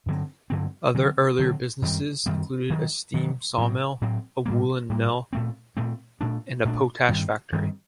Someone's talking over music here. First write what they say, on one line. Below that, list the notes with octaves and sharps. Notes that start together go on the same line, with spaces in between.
Other earlier businesses included a steam sawmill, a woolen mill and a potash factory.
G2 D3 F#3 C4
G2 D3 F#3 C4
D3 F#3 C4
D3 F#3 C4
F#2 D#3 G3 C4
F#2 D#3 G3 C4
G2 D#3 F#3
G2 D#3 F#3
A2 F#3 C4
A2 F#3 C4
A2 G3 A#3
A2 G3 A#3
A#2 A3 C4
A#2 A3 C4
A#2 A3 D4
A#2 A3 D4
G2 D#3 G3 C4
G2 D#3 G3 C4